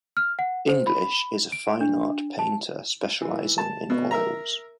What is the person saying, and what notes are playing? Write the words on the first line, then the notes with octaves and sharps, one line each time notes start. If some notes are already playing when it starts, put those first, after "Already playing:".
English is a fine art painter specializing in oils.
F6
F#5
C5
B5
D7
D4
A5
E3
A5
B2
A#4 E5 A#5